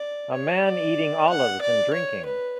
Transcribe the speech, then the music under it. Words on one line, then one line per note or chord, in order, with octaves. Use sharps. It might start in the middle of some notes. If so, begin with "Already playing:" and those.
A man eating olives and drinking.
Already playing: D5
C#5
D5
F#5
D5
C#5
B4